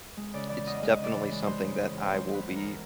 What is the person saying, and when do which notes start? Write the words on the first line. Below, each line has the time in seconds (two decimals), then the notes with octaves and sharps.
it's definitely something that I will be
0.17 G#3
0.34 C#3 D5
0.49 E3 D5
0.66 E2 D#5
0.82 G#3 D#5
0.98 C#3
1.03 D5
1.15 E3
1.31 G#3
1.47 G#3 C5
1.63 C#3
1.80 C#3
1.95 E2
2.12 G#3 C5
2.28 G#3
2.34 B4
2.44 E3
2.56 A#4
2.61 G#3